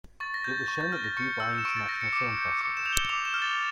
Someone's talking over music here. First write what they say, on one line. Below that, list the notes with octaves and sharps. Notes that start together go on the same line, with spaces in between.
It was shown at the Dubai International Film Festival.
C#6 A6
A#6
G6 A6
C#6
A6
G6
F6 A6
A#6
C#6 C#7
E6 G6
E7
C#6 D7
A6
G6 A#6
C#7
D6 C#7
G6
D6 C#7
E7
G6 F7
G7
D6 F7
E7
F6
A6